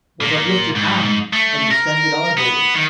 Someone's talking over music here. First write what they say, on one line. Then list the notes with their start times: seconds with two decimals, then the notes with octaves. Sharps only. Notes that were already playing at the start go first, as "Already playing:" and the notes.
What uplifted hands and distended eyeballs!
0.21 A#2
0.75 G#2
1.33 A3
1.71 A#4
2.37 B3
2.74 D#3